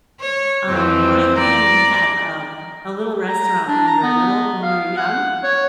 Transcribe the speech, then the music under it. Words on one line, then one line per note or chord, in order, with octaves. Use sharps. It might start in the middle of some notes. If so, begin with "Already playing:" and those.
Um, my family had, um, a little restaurant when we were little when we were young.
C#5
F2 E3 C4
D5 A#5
A#5
D4
A#5
B3
F5
F#5
C#5